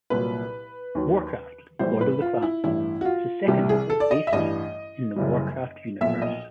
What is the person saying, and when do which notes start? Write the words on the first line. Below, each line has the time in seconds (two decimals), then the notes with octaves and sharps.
"Warcraft: Lord of the Clans" is the second novel based in the "Warcraft" universe.
0.10 C2 A#2 F#3 B4
0.95 D#2 D#3 F#3
1.79 A#1 A2 E3 G3 C5
2.01 B4
2.22 F4
2.42 E4
2.64 A1 G2 E3 G3 E4
3.01 F#4
3.05 F4
3.48 C2 C3 E3 G3 G4
3.69 G#4
3.90 A4
4.00 D5
4.11 D#5
4.27 E5
4.32 A1 G2 E3 G3 D#5
5.16 F#1 F#2 C#3 E3 G3
6.01 B1 A#2 F3 E5
6.22 D#5